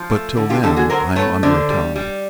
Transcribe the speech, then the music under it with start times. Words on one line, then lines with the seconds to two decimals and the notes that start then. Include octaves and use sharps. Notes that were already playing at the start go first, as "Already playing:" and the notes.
But, till then, I am under a tie.
Already playing: F3
0.10 A3
0.37 D3
0.50 F4 G4
0.63 D3 G4 A4
0.76 F#4 G#4
0.90 F#3 A#4 C5
1.16 A3 B4 C#5
1.43 D3 C5 D5
1.70 G3
1.96 G3